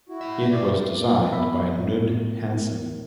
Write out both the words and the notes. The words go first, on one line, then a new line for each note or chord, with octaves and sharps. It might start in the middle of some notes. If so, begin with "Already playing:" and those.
It was designed by Knud Hansen.
E4 F#4
A2 E5
D5
B3 A#4 E5 B5
A2